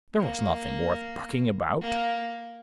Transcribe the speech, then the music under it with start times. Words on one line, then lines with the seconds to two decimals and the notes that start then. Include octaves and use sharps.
"There was nothing worth bucking about."
0.19 A#3
1.81 A#3